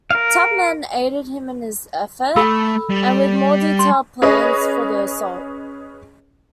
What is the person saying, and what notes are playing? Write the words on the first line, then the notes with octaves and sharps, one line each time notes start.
Tubman aided him in this effort, and with more detailed plans for the assault.
A#4 F5
A3 A4 B5 E6
G3
C6
C#4 G#4 B4 C#5 D#5